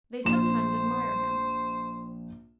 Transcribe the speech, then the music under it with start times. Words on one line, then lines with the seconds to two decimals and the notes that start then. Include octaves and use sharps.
They sometimes admire him.
0.25 A#1 C5 E7